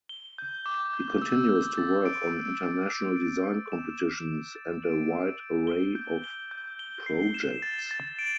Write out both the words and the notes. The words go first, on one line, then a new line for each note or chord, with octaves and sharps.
He continues to work on international design competitions and a wide array of projects.
G7
G6
D6
G6
E6
G6
A6
D7
E6
G6
A6
D7
A6
E7
G6
E7
A6
D7
E6
G6
G7
G6
G7
G6
G7
C7
E7
A6
A6
D7